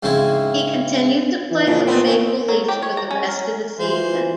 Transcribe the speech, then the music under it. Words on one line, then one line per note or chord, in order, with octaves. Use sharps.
He continued to play for the Maple Leafs for the rest of the season.
G#2 C#3 G#3 C4 C#4 E4
E3
F2 A#2 C#3 D4
B3 C4
C4 C#4
F#3
G4
C#5
A#5
C#4
A#4
E3 F4 C5